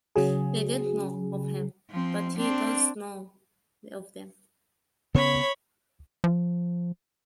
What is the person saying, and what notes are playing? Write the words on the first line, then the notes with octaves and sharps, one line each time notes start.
They don't know of him, but he does know of them.
C#3 F#3 G#4
F3 C4
C4 D4
C#3 B3 C#4 C#5 B5
F3